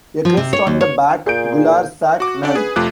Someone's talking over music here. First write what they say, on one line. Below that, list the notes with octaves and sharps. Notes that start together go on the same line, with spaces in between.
A crest on the back; gular sac: none.
F3
C3
C#5
D#2
C#5
A#2 G#4 G6 D7
F#4 D6
C#4 D4 A4 D5 F#5
G#4 B4
F2 C3 A3 F4 D6 F#6